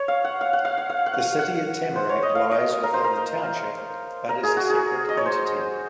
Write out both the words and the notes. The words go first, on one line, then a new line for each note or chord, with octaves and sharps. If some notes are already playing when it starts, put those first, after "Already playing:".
The city of Tamarack lies within the township but is a separate entity.
Already playing: C#5
F5
F#5
F5
F#5
F5
F#5
F5
F#5
F5
F#5
C5
C#5
D#5
F5
D#5
A#4
C5
A#4
A#4
G#4
F#4
G#4
D#5
C#5
C5